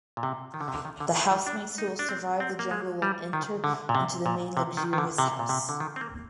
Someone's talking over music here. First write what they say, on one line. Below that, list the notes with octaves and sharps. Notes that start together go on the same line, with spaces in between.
The housemates who will survive the jungle will enter into the main luxurious house.
A#2
C3
D#3
D3
C3
D3
D#3
D3
D#3
F3
D4
D#4
D4
C4
C4
A#3
G#3
G3
D#3
D3
A#2
C3
A#2
C3
D#3
D#3
D3
C3
A#2
C3
D3
D#3
C4
A#3